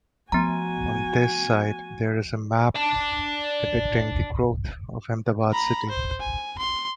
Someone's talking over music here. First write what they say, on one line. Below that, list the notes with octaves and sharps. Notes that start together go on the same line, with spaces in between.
On this site there is a map depicting the growth of Ahmedabad city.
F3 A3 B3 F#4 G#5 A#5
D5 A5
A#5 B5
C5
G#5
C6